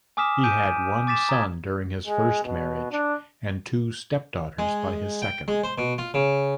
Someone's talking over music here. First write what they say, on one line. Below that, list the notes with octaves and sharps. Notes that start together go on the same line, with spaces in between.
He had one son during his first marriage; and two step-daughters by his second.
G#5 D6 D#6 F6 B6 E7
G#5 D#6 G6 D7 D#7
D6 A6 B6 E7
A#5 D#6 G#6
G#3
B2
D4
G#3
G5
G#3
C5
B2
F4
C#3